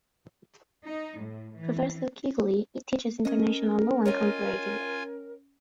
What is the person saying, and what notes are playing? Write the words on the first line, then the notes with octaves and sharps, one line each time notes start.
Professor Quigley teaches international law and comparative law.
D#4
A2
E3
C#4 A#4 D#5 G#5
F4 C#5 D#5 G5 G#5